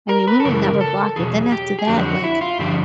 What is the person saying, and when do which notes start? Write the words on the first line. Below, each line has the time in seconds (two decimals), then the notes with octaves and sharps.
I mean, we would never block it. Then after that, like,
0.09 A#4
0.28 B4
0.40 A4
0.45 F#2 C#3 E3 A#4
0.81 A4
1.16 E2 B2 F#3 G#4
1.52 G4
1.79 G#4
1.88 F2 D3 F#3 G4
2.06 F#4
2.24 E4
2.41 F4
2.59 G2 D3 F3 G4